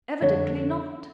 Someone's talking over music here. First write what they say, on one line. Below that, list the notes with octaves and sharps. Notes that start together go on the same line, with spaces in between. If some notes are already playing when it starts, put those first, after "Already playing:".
Evidently not.
F2 D3 C#5